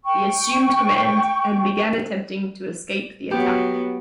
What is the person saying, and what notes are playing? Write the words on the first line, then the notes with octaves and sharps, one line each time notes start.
He assumed command and began attempting to escape the attack.
G5 C#6
F#3 B3 G4